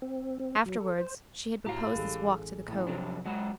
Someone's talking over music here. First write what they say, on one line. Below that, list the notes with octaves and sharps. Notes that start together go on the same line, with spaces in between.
Afterwards she had proposed this walk to the Cove.
C4
C4
F#3
A4
C5
A2 F#4 G4 F5 A#5
A1 G#3 A4
A2 E3
F2 C3 F#3 D4
F#3 G#3 F#4 F#5 B5